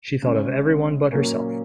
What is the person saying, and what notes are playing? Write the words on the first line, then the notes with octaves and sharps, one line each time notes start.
She thought of everyone but herself.
C#3 G#3 C#4
A#2 F#3 A#3 C#4